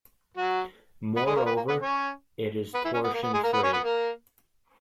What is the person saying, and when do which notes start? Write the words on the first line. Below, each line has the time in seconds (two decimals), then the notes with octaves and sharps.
Moreover, it is torsion-free.
0.38 F#3 F#4
1.16 B3 B4
1.27 G#3 G#4
1.36 A#3 A#4
1.46 B3 B4
1.56 A#3 A#4
1.69 B3 B4
1.82 C#4 C#5
2.74 B3 B4
2.85 E3 E4
2.94 C#4
3.04 B3
3.14 A#3
3.23 B3
3.33 G#3 G#4
3.44 A#3 A#4
3.53 B3 B4
3.63 C#4 C#5
3.73 B3 B4
3.83 A#3 A#4